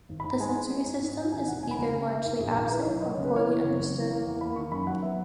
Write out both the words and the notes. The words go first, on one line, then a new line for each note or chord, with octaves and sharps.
The sensory system is either largely absent or poorly understood.
G#1
G#2 B5
A#5
G#3 G#5
D#4
D#4
G#2
G#2
G#2
D#3 G#5
E1 F#5
E1 G#5
B5
C#2 A#5
C#3 G#5
G#3 E5
G#2 A#4
A#1 G#4
D#3 A#4
E4 B4
D#5
B1 C#5
B1 D#5
C#3 C#5
B4
E3 C#5
E3
F#1
F#1
E3
A#3
E2
A#3 B5
D#3 C#6
F#2 B5
F#3 F#5
B3 E5